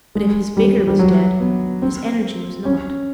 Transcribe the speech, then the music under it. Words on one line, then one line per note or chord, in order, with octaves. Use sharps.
But if his vigor was dead, his energy was not.
G#3
G3
G3
F#3
B3
C4
C#4